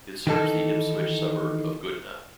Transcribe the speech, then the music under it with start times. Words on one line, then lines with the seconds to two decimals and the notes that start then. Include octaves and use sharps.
It serves the Ipswich suburb of Goodna.
0.27 D#3 E3 D#4 A4